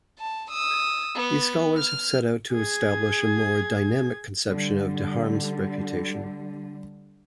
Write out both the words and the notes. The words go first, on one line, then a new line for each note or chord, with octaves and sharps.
These scholars have set out to establish a more dynamic conception of Deharme's reputation.
A5
D#6 E6
B3
F6
G#4 G#6
D3 G3